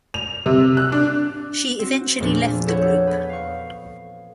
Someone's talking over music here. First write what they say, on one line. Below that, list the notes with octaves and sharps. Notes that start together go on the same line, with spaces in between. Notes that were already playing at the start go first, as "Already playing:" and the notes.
She eventually left the group.
F7
C3
F#6
D4
C4 F#4
E2 A#2 F3 A3 A#3 D4
A4 B4 C#5 F#5 C#6 G6
B3 B4
F5 C#6